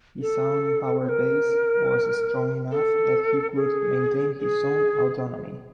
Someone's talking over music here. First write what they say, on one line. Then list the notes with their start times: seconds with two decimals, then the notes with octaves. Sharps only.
His own power base was strong enough that he could maintain his own autonomy.
0.22 A4
1.05 C5
1.09 A#4
2.72 A4
3.56 G#4
4.39 G#4